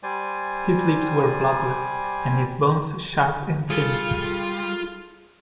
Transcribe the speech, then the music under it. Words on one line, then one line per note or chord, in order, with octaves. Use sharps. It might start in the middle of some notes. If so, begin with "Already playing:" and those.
His lips were bloodless, and his bones sharp and thin.
G3 C5 D5 G#5
G3 F4 G#4 A4